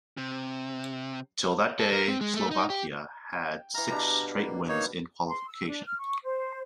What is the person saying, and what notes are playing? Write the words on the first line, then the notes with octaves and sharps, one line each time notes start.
Till that day, Slovakia had six-straight wins in qualification.
C3
A4
A#4
C4
G#3
A3
D#4
G4
G5
E3 F5 A#5
B2 G3 D4
A#3
A#3 D#4 C#5
C6
E6
D4
F6
C#6
C5